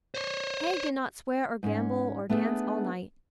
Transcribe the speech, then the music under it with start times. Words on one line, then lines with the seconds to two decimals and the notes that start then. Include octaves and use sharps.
Haig did not swear or gamble or dance all night.
0.15 C5 C#5
1.63 G#2 C#4
2.29 A3 B3 D4 D#4 G#4